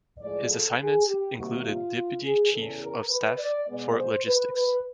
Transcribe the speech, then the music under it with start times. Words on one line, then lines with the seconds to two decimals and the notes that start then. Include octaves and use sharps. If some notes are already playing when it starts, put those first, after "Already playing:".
His assignments included Deputy Chief of Staff for Logistics.
0.20 A2 F3 G#3 D5
0.49 A4
0.79 G#4
1.07 G4
1.36 C3 D#3 G3 A#3 F#4
1.65 F4
2.23 G#4
2.51 E2 C#3 E3 A4
2.81 A#4
3.09 B4
3.38 D5
3.67 B2 G#3 B3 D5
3.96 C5
4.25 B4
4.54 B4